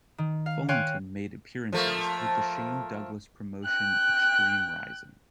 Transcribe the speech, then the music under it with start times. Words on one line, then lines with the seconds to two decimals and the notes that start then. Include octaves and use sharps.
Fullington made appearances with the Shane Douglas promotion Extreme Rising.
0.18 D#3
0.46 F5
0.69 C#5 F5 G5 G#5 C6 F#6
1.73 F3 A3 A#3
3.64 G5 F#6